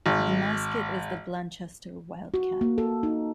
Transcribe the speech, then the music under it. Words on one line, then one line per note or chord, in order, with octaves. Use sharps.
The mascot is the Blanchester Wildcat.
G#1
F#4
A#3
A4
D#4